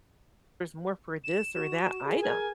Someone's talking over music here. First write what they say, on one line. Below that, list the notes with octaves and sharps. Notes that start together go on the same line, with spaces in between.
more for this or that item."
E7
F#4 E7
G#4
A#4 G#5